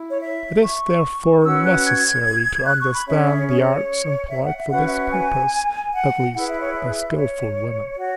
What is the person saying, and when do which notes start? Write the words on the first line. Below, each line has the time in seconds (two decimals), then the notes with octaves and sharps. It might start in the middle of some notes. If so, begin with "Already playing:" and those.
It is, therefore, necessary to understand the arts employed for this purpose, at least by skilful women.
Already playing: E4
0.09 C#5
0.22 E5
0.62 C#6
1.39 C#6
1.43 C#4 F#4 B4 E6
1.64 F#6
1.85 G#6
2.66 F#6
2.80 C#6
2.94 B5
3.07 C#4 G#4 C#5 E5
3.17 C#5
3.27 E5
3.37 C#5
3.48 C#5
4.30 E5
4.43 F#5
4.57 E5
4.70 C#4 F#4 B4 F#5
4.85 E5
5.12 G#5
5.93 F#5
6.34 E4 G#4 B4 F#5
6.47 E5
6.60 C#5
6.74 E5
7.15 C#5
7.97 F#4 C#5